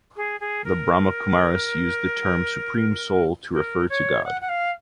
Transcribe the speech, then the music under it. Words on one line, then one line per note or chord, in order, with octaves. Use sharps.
The Brahma Kumaris use the term "Supreme Soul" to refer to God.
G#4
G#4
A#4
A#4
C#5
F#5
F#5
F5